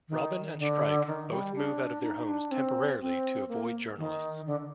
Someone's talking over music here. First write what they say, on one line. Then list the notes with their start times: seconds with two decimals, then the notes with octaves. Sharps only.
Robin and Strike both move out of their homes temporarily to avoid journalists.
0.09 D#3
0.59 D3
1.07 D#3
1.30 G3
1.56 D4
2.03 D#4
2.28 D4
2.52 C4
3.01 C4
3.49 A#3
3.98 D#3
4.47 D3